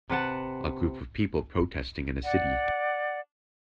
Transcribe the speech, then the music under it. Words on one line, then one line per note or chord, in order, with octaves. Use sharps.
A group of people protesting in a city.
C3 B4 F#5 A5
D5 F#5